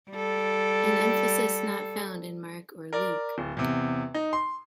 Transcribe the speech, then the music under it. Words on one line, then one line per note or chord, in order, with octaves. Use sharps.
An emphasis not found in Mark or Luke.
G3 A4
A#4 D5
D1
E2 C3
D#4
C6